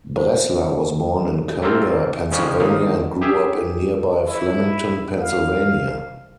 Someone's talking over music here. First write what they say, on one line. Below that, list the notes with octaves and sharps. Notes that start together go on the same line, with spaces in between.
Bressler was born in Coder, Pennsylvania and grew up in nearby Flemington, Pennsylvania.
C5
A3 A#3 C4 F4
F2 C#3 F3 C#4 D4
G1 D#2 A#3 D#4 F5
G4 G#4 E5 G#5
E4
F5